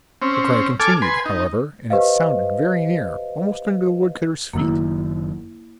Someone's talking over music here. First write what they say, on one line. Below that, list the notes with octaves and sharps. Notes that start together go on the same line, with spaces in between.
The cry continued, however, and it sounded very near, almost under the woodcutter's feet.
C4 C#4
A4 G#5 D6 F6
B4 G#5 C6
D#4
G4 B4 C5 D#5 F5
F#1 F#2 D#3 A#3 E4